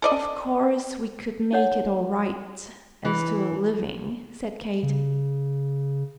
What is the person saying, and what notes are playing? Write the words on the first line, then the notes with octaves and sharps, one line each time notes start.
"Of course we could make it all right, as to a living," said Kate.
A4 D5 D#5
D#4 C#5 F#5
E3
C#3